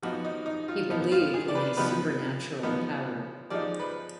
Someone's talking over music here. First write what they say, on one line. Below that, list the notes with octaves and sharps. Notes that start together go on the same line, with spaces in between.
He believed in a supernatural power.
F3 B3 D#4 F#4
D#4
D#4
F4
F3 B3 D#4
F4
G#4
D5
B4
F3 B3 D#4 B4
F3 B3 D#4
F3 G#3 D#4 D5
B4